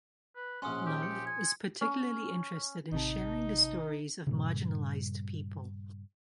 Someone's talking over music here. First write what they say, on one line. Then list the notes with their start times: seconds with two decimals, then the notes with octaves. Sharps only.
Love is particularly interested in sharing the stories of marginalized people.
0.35 B4
0.62 A#1 C#4 F#5 C6 D#6
0.86 G4
1.03 C#7
1.26 G#5
1.81 C#4
2.92 A1 C3 D#4 A5
4.27 G2 A#2 C#3